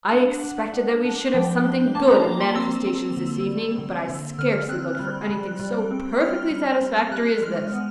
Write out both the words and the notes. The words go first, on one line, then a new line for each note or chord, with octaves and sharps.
I expected that we should have something good in manifestations this evening, but I scarcely looked for anything so perfectly satisfactory as this.
D4 F#5
D4
D4
D4
F3 G5
D4
A#3 A5
A#5
A#3
C6
C4 E6
C4
D3
G3
D3
D3
D3 F6
C4 F#6
G3
G3
G3
C4
C4 F6
G3
G3
F6
G3 F#6
F#6
G#3 F6
B3